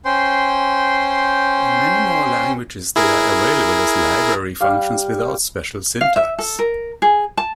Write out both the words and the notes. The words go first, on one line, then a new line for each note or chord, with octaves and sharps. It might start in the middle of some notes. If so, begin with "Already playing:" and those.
In many more languages, they are available as library functions without special syntax.
C#4 C5 G5 C6
E4 G#4 A#4
G3 F5
F5
E5
A4
A#4
G#4
A5